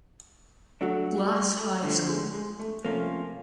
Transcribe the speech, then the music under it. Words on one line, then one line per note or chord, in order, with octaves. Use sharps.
Glass High School.
F#3 A3 D4 F#4
G#3
A3
F2 D3 F3 A3
G#3
G#3
A3
C3 F3 A3 A#3 C#4 F4